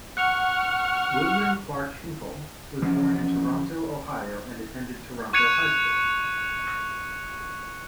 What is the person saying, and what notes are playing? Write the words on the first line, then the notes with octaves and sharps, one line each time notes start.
William Clarke Hinkle was born in Toronto, Ohio and attended Toronto High School.
F#5 C#6 F6
E3 F3 C#4
C#6 F#6 G#6 C#7 D#7 F7